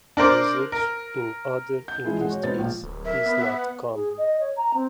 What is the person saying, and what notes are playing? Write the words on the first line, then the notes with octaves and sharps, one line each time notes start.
Usage in other industries is not common.
D4 A#4 C5 D6
A#4
G6
E3 F3 G#3 E4 G#4
E1 G#3 F#5
F#4 C#5
E1 B2 B3 D#4 C5 A6
A#1 F4
D1
A#4 E5
B3
F#5
G#4
D#5
C#5
A#5
C4